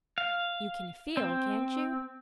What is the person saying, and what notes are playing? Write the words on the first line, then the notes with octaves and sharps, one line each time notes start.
"You can feel, can't you?"
F5
C4